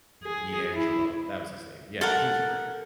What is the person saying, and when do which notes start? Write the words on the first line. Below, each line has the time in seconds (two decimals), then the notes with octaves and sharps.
D'Angelo, that was his name, yeah, he was great.
0.24 G#4
0.74 E4
2.01 A4 A#4 F#5